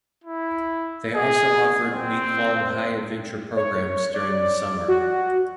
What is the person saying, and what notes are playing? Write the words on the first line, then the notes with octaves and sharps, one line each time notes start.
They also offered week-long high adventure programs during the summer.
E4
G#4
C4
C#5
D5
F#4